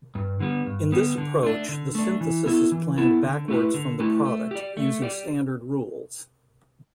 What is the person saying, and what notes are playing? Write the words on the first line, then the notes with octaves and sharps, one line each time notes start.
In this approach, the synthesis is planned backwards from the product, using standard rules.
G2
D3 G3 B3
G2
D3 G3 B3
D3
A3 D4
D3
A3 D4
E3
B3 E4 A4
E3
B3 E4 A4
D3
A3 E4 G4 B4
D3
A3 E4 G4 B4
A3
G4 D5
A3
G4 D5